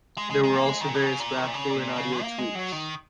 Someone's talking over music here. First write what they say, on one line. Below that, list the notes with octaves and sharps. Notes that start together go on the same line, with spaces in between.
There were also various graphical and audio tweaks.
G#3
G#3
G#3
A#3
G#3
D#3
A#2
C#3
D#3
C#3
A#2
D#3
A#2
C#3
A#2
C#3
A#3
G#3
F#3
D#3